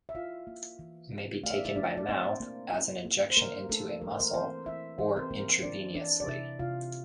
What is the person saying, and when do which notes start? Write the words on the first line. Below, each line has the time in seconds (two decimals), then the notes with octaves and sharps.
It may be taken by mouth, as an injection into a muscle, or intravenously.
0.09 E5
0.15 E4 F4 F5
0.47 A#3
0.79 E3
1.11 C4
1.44 A3 F5
1.50 E5
1.58 D5
1.65 E4 E5
1.76 A3 D4 D5
1.97 D5
2.08 A#3 C4 C5
2.40 A#3
2.73 E4
3.05 A#3
3.30 C5
3.37 A#3 A#4
3.69 A3 D4 A4
4.02 E3 A#4
4.11 C5
4.20 A#3 A#4
4.34 E3 C4 C5
4.66 E3 E4 E5
4.98 E3 C5
5.08 A#4
5.16 C4 C5
5.31 E3 A#3 A#4
5.62 E3 D4 D5
5.95 E3 D4 D5
6.20 D5
6.27 C3 E4 E5
6.59 C3 F4 F5